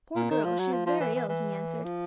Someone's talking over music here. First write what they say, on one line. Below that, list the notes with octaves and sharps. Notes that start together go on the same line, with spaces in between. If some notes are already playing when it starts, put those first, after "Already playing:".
"Poor girl, she is very ill," he answered.
A#2
D#3
F3
F#3
F3
F3
E3
E3
E3
F3